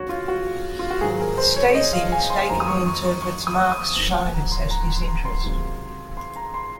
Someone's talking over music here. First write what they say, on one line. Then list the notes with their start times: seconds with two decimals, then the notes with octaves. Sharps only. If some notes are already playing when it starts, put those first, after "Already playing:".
Stacy mistakenly interprets Mark's shyness as disinterest.
Already playing: C#2 C3 D#3 F#3 F#4 C#5
0.09 F4
0.28 F#4
0.79 F4
0.90 F#4
1.01 G#2 D#3 F#3 G#4
1.20 A#4
1.38 C5
1.56 C#5
1.75 D#5
1.93 F5
2.12 G#5
2.30 C6
2.48 F2 D#3 F#3 A#5
2.60 D#6
2.68 C#6
2.86 C#6
3.05 C#6
3.22 C#6
3.47 D#6
3.72 D#6
3.96 F2 D#3 F#3
4.15 F#5
4.33 A#5
4.52 C6
4.70 A#5
4.95 C6
5.06 A#5
5.25 C6
5.43 C#2 C3 D#3 F#3
6.17 C6
6.36 A#5
6.54 C6